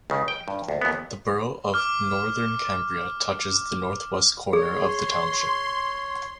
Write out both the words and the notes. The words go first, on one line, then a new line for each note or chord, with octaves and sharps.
The borough of Northern Cambria touches the northwest corner of the township.
C#2 C#3
G5
G2
D2
D#2 B3
D6 F6
G#4 C#5 C6